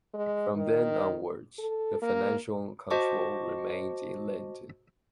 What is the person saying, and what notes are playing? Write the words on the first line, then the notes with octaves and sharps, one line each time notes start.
From then onwards, the financial control remained in London.
G#3
D#3
A4
A#3
F#4 C5 D#5 A5 C#6 D6